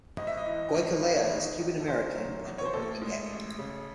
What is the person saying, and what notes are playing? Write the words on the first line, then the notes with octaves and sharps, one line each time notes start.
Goicolea is Cuban-American and openly gay.
G#1 D#5
E5
D#5
E3
G#1
E2
D#3
E2
A4
D#3 C5
F#3
E2
C#5
C5
A1 A4
G#3
A1
C#3